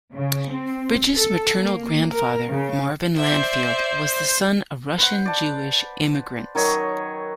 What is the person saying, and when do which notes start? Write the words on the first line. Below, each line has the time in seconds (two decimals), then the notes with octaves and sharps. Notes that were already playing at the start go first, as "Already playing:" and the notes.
Bridges' maternal grandfather, Marvin Landfield, was the son of Russian-Jewish immigrants.
0.14 C#3
0.50 C4
1.17 A4
1.58 A#3
2.13 A#4
2.49 C#3
3.17 C5 D5 E5
4.98 B4 C5 F#5
5.26 D5 A5
6.55 D#3 F#3 C#5 D#5